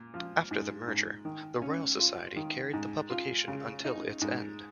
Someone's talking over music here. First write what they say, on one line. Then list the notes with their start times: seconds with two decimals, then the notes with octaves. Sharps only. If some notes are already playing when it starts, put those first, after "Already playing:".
After the merger, the Royal Society carried the publication until its end.
Already playing: A#2
0.14 F3
0.51 G#2
0.87 G#2
1.25 D#3
1.62 C#4
1.99 F4
2.36 D#3
2.73 G#2
3.10 F4
3.48 C#3
3.84 D#4
4.21 G#2